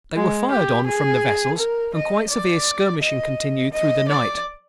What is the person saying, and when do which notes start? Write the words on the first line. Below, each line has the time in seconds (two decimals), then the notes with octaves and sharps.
They were fired on from the vessels, and quite severe skirmishing continued through the night.
0.15 G#3
0.51 G4
0.86 G#4
1.57 A#4
1.94 D#5
2.30 D5
3.01 D#5
3.72 D#5
4.08 D5